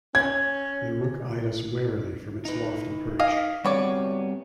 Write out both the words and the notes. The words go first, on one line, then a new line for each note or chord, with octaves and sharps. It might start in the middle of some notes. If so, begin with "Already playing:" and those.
The rook eyed us warily from its lofty perch.
C#4 G#6
D#4 B4
D#5 F5 G#5
G3 B3 C4 F#4 C#5 D5